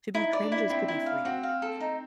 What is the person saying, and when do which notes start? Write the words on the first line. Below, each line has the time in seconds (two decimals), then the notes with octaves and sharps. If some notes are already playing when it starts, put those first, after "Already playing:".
To be cringe is to be free.
0.15 D#4 E4
0.33 D5
0.42 D4
0.52 E4
0.70 C4 E4
0.88 E4
1.06 F5
1.25 C4 F#4
1.43 F5
1.62 A4
1.80 D#4